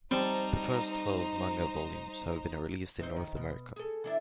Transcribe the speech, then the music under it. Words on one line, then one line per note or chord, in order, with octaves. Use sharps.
The first twelve manga volumes have been released in North America.
G3 C4 D#4 C5 A5 A#5
C4 D#4 C5
D#3
B2
G#4 A4
E3 D4 E4